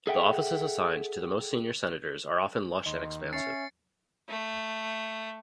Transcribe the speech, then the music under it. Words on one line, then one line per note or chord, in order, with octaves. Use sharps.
The offices assigned to the most senior senators are often lush and expansive.
G#4 A4 E5 F#5 G5
D#2 D#5 C6
C#4 E5 G#5 A6 C7 C#7
A3